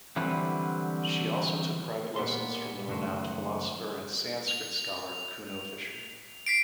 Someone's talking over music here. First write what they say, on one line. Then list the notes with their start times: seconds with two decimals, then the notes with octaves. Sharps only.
She also took private lessons from the renowned philosopher and Sanscrit scholar Kuno Fischer.
0.16 D3 E3 F#3 G3 C4 B4
2.16 A#2 A#3 B3 G4 C6
2.88 C#2 F#2 D#3 A3 F#4 C5
4.48 F7
6.47 B6 C7 D7